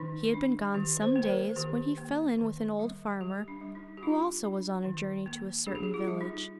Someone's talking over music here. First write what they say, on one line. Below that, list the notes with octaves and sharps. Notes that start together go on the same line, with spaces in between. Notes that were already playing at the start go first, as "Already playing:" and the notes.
He had been gone some days, when he fell in with an old farmer, who also was on a journey to a certain village.
Already playing: D#3 D#4
D4
D#3 G4
C5
A#3
C5
A#4
D#3 G4
A#3
D#3
G3
G3 G4
D4
G3
D#4
G4
D4 F4
D4
D#3
A#3
D4 G#4
G4
G#4
F4
G3
D#4